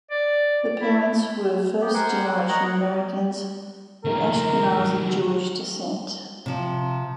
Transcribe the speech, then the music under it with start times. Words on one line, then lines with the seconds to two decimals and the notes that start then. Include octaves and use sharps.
Her parents were first generation Americans of Ashkenazi Jewish descent.
0.11 D5
0.81 E4
1.81 B3 G4
1.94 A#4 C5 F#5 G#5
2.28 G3
2.49 A#4 C#5 D#5 F#5
4.05 D#3 F3 A#4
6.46 C3 F3